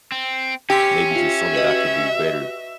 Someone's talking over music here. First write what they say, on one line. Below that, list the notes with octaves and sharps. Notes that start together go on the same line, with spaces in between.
maybe just something that I could do better.
C4
C#4 G4 C6 E6 A#6
F4 E5
F#4 B4 D#5